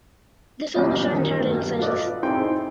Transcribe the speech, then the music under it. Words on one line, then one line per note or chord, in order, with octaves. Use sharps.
The film was shot entirely in Los Angeles.
A1 F#2 A#2 G3 C#5 D#5
D#3
G2 F#3 A3
F4 F#4 A4 B4 D5 D#5
C4 D#4 E4 G#4 G5 C6